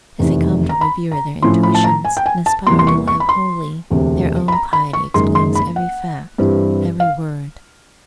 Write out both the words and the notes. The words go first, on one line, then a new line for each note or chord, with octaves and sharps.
As they come to revere their intuitions and aspire to live holily, their own piety explains every fact, every word.
F1 E2 C3 D#3
A#5
B5
A#5
A2 F3 A3 C#4 E4 C6
B5
A5
A#5
G#5
G5
G#5
A5
E2 C3 E3 G3 A#3 C6
C6
C#6
C#6
B5
C6
E1 D2 C3
B5
A#5
B5
C#6
F#1 F#2 D#3 G#3 C6
C6
B5
F#5
G2 E3 G3 C4 E4
F5